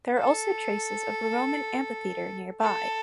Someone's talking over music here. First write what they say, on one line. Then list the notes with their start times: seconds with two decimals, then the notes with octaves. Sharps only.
There are also traces of a Roman amphitheatre nearby.
0.18 A4
2.60 A4